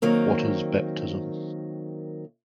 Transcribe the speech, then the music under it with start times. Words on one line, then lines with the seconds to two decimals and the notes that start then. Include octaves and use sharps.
What is baptism?
0.02 D#3 F#3 A#3 C4